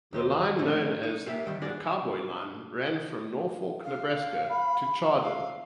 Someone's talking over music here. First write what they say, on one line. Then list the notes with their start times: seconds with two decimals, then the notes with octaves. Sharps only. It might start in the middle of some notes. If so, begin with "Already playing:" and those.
The line, known as the "Cowboy Line", ran from Norfolk, Nebraska to Chadron.
0.13 D#2 G4 C5
0.59 A2 F3 A3 C4 D#4
1.03 D#4
1.26 A#3 G4 E5
1.46 D3 D#3 G3
1.62 D4 F#4 G#4 D5
3.85 F5
4.50 B5
5.21 E5 F5